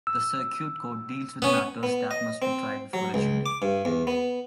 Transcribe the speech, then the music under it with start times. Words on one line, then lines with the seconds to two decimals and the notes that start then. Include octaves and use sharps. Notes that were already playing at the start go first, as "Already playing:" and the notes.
The Circuit Court deals with matters that must be tried before a jury.
0.07 E6
1.42 B3 C#4
1.83 B3
2.11 D#5
2.42 C4
2.93 F#3
3.14 C#2
3.46 D6
3.62 G2
3.85 E2
4.07 B3